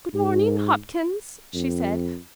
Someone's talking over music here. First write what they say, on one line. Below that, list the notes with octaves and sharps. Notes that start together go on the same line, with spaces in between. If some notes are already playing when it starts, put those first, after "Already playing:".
"Good morning, Hopkins," she said.
G#2
F2